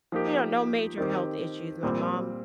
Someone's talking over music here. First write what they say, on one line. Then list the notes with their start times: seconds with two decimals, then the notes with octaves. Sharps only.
You know, no major health issues. My mom
0.12 F3 A#3 D#4 G4
0.98 D#3 C4 G4
1.83 A#2 G3 C4 F4